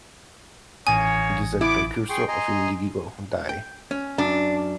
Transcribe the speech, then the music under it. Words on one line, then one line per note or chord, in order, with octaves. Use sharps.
It is a precursor of indigo dye.
A1 A#3 C#5 G#5 D#6
B3 E4 D6
G#4 G5 C6 C#6
D#5 G#5 A#5 C6
G5
C#4
F#2 D4